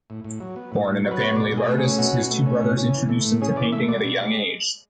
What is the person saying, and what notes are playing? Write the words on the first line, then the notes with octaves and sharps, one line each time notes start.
Born in a family of artists, his two brothers introduce him to painting at a young age.
A2
A2
F#3
B3
A2
A2
F#3
B4
B3 C#5
B2 D5
B2
G#4
A3
G#4
C#4
B2 F#4
B2
A3
C#4
A2
C#4
E3
A3
A2
C#4 G#4
E3 D5
A3 E5
B2 D5
B2
G#3